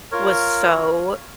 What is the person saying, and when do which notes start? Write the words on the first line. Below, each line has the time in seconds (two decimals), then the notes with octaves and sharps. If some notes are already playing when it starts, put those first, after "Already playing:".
was so
0.12 F4 A#4 C#5